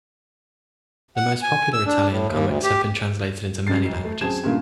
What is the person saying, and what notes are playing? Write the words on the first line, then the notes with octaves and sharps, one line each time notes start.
The most popular Italian comics have been translated into many languages.
F#5
G#5
E6
D4
A2
D#2
D2
G4
F#2 C#3 A6 C7
E1
A3
F#2 C4 G#4 A5 G#6 E7
G2 A#2 C#3 A3 A#3 F4